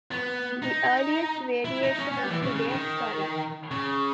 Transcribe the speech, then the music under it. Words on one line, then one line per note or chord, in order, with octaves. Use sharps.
The earliest variation of today's Sorry!
B3
D#4
E4
D#4
C#4
C#4
B3
G3
E3
C#3
C#3
D#3
C#3